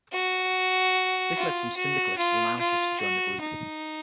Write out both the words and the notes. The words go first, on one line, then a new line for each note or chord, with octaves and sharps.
This led some syndicalists and anarchists to join the group.
F#4
F4
F#4
F4
F4
F#4
D#4